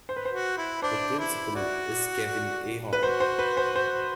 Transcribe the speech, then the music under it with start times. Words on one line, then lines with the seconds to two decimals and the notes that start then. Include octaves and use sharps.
The principal is Kevin Ahern.
0.09 C5
0.16 B4
0.25 C5
0.33 F#4
0.58 E4
0.82 D4 C5
1.19 E4
1.55 F#4 D5
2.93 B4
3.02 F#4 C5
3.20 C5
3.39 B4
3.57 C5
3.76 C5